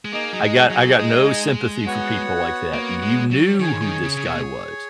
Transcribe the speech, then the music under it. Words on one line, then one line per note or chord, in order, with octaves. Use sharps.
I got I got no sympathy for people like that. You knew who this guy was.
G#3
A#3 D#4 G#4 D#5
F#3
G#3
F#3
G#3
B3 F#4 C#5 F#5
A#3
G#3
F#3
D#3 G#4 C#5 G#5
D#3
C#3
C#3
B2